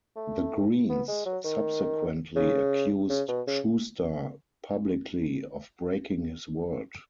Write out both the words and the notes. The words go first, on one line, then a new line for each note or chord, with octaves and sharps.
The Greens subsequently accused Schuster publicly of breaking his word.
A3
B3
G#3
F#3
D#3
C#3
C#3
B2
C#3